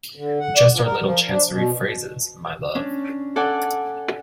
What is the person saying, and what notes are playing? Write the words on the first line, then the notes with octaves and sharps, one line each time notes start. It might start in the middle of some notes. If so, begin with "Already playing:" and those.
Just our little Chancery phrases, my love.
D3
F#5
D5
F3
A#4
F3
D4
B2
C#4 D4
A4 D5 F#5 G#5